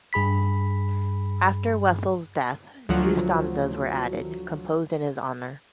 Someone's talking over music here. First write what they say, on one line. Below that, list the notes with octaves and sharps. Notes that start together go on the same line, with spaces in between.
After Wessel's death, new stanzas were added, composed in his honour.
G2 G#4 B5 B6
D2 F3 F#3